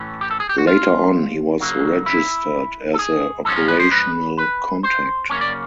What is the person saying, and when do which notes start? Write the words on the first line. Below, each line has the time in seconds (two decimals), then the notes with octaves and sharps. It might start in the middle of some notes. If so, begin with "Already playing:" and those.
Later on he was registered as a operational contact.
Already playing: A2 E3 A3 C#4
0.21 G4
0.31 A4
0.40 G#4
0.49 G4
0.58 F#4
0.67 F4
1.60 C#3 F#3 A#3
2.06 E4
2.93 A4
2.99 G#4
3.45 G#2 F3 G#3 C#4 A4
3.56 A#4
3.68 B4
3.79 C5
3.91 B4
4.38 B4
4.83 C5
5.30 F#2 C#3 F#3 A#3 C#4 C#5
5.41 D5